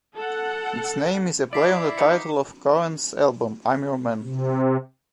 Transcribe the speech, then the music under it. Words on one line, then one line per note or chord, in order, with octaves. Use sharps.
Its name is a play on the title of Cohen's album "I'm Your Man".
A4 F#5
E4 D5 D6 B6 C7
C#3 B3 D#4 C#7
C3